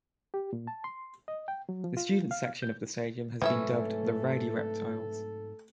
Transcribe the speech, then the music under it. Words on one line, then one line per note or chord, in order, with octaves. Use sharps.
The student section of the stadium has been dubbed the Rowdy Reptiles.
G4
A#2
A5
C6
D#5
G5
F#3
F3
F4
F5
G6
G#2 C3 E3 F#3 A3 C#4 A4 E5